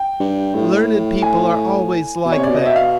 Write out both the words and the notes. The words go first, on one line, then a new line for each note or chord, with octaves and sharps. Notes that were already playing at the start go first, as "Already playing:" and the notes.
Learned people are always like that.
Already playing: G5
G2
A2
G#5
B2
C3 C#5
B2 D5
D#5
E5
F5